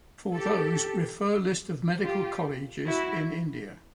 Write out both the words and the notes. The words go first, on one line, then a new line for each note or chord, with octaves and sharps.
For those, refer List of medical colleges in India.
G4 A4
F4 G4
E4 F#4